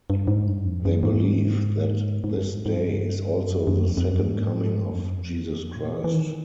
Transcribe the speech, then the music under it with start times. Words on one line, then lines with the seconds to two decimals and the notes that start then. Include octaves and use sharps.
They believe that this day is also the Second Coming of Jesus Christ.
0.10 G2
0.28 G#2
0.47 G2
0.65 F2
0.85 F#2
1.03 G#2
2.24 G#2
2.36 G2
2.54 G#2
2.66 G#2
2.73 G2
3.48 F#2
3.67 F#2
3.87 F2
3.97 F2
4.06 F#2
4.20 G2
4.33 G#2
4.48 A2
4.62 G#2
4.82 G2
4.95 F2
5.00 F#2
5.19 F2
5.76 A#2
5.94 E3
6.04 E3
6.14 D#3